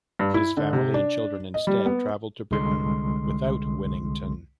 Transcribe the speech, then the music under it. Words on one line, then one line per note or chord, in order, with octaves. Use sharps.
His family and children instead travelled to Britain without Winnington.
G2
E4
D3
C3
D4
D#5
G3
B3
C2 D3 G#3 C6